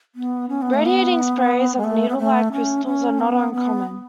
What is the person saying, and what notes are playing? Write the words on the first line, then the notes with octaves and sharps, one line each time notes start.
Radiating sprays of needlelike crystals are not uncommon.
B3
C#4
B3
A3
B3
G#3
A3
B3
A3
C#4
C#4
B3
B3